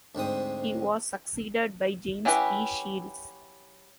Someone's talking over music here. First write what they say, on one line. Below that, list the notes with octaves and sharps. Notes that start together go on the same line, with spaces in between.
He was succeeded by James P. Shields.
D2 G#2 C4 D#6
F#3 C#4 E4 G4 B4